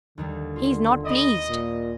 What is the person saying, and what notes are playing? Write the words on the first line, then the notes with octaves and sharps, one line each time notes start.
He's not pleased.'
D#2 D3 D#3 G3
F4
D#5 B5 D#6
A#2